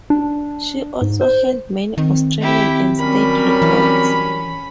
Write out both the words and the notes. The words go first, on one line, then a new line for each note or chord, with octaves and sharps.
She also held many Australian and State records.
D4
G#2
C5
D#3 C4
C4 E4 G4
F#3 G3 C#4 A#4 B5
E3